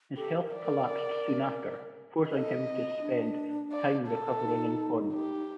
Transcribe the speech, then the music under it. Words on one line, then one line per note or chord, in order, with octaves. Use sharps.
His health collapsed soon after, forcing him to spend time recovering in Cornwall.
G4 A4
A#4
D5
A#4
A#4
A4 D#5
C4
D4
D5
A4
D#4
G4